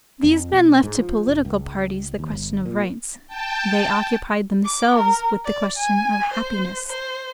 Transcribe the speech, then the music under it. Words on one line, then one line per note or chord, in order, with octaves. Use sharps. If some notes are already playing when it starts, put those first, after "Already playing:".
These men left to political parties the question of rights, they occupied themselves with the question of happiness.
F2
B2
G#2
F3
F1
C#2
D#2
G1
A#2
G5 A5
D6
A#4
D5
G#5
C5
C5